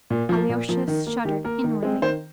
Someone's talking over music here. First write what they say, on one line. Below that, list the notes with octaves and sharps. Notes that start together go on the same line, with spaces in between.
Alyosha shuddered inwardly.
A#2
F3
A#3
A#2
F3 A#3
D#3
A#3
D#3 G4
A#3 A#4
D#3
G#3 C4
D#3 C5